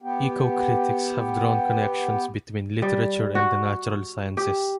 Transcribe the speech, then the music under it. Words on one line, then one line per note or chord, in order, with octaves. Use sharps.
Ecocritics have drawn connections between literature and the natural sciences.
B3 G4
G3
F#4
G4